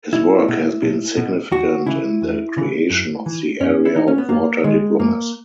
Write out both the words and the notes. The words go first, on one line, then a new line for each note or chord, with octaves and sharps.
His work has been significant in the creation of the area of Water diplomacy.
B1 E4
B2
B1
B2
E2 F#4
C#3 E3 E4
E2
C#3 E3
F#2
E3
F#2 C#4
E4
E3 D#4
C#4
B3
F#2 A#3
D#3 G#3
F#2 A#3